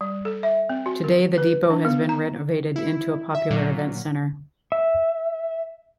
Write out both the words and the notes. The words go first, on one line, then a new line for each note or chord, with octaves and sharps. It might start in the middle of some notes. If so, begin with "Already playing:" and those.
Today, the depot has been renovated into a popular events center.
G3
A4
E5
C4
F#4
A#4
B4
D4
B3
A#5
E4
E5
A#2 F#3
E5